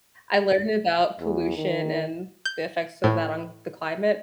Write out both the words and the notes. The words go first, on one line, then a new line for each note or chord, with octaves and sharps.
I learned about pollution and the effects of that on the climate
E2
D#3
G6
A2